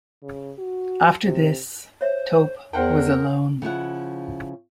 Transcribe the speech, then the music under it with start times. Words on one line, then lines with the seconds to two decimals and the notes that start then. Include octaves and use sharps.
After this Tope was alone.
0.23 C#3
0.58 F#4
1.24 C3
2.01 C5 C#5 E5
2.73 E2 A#4 C5 F#5 G5
3.62 C#3 F3 E4 F#5